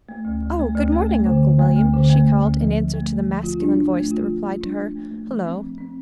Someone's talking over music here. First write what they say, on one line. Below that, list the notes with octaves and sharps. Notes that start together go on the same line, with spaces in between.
"Oh, good morning, Uncle William," she called, in answer to the masculine voice that replied to her "Hullo."
A3
D2
D2
A3
D2
A3
A3
D3
D3
A3
D2
D3
A3
A3
D2
F3
F3
A3
A3
F3
F4
D4
D4
A3
F4
F3
F4
D4
A3
A3
A3
F3
C4
F3
C4